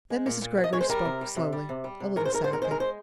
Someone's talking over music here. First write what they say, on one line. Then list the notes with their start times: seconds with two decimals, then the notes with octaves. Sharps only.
Then Mrs. Greggory spoke slowly, a little sadly.
0.10 G#3
0.26 A#2
0.41 A#2
0.57 F3
0.64 D#5
0.73 G#3 C#5
0.81 C5
0.89 G3 A#4
1.05 C3
1.21 G3
1.36 C3
1.53 G3
1.69 C3
1.84 G3
2.00 C3
2.16 G#2 A#4
2.25 C5
2.32 G#2 A#4
2.44 D#3 C5
2.53 A#4
2.62 G#3 C5
2.71 A#4
2.80 C5